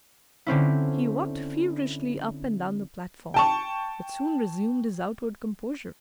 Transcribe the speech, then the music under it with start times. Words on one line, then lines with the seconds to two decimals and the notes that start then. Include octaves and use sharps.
He walked feverishly up and down the platform, but soon resumed his outward composure.
0.46 D3 C4 C#4 E4
3.34 G5 A5 C#6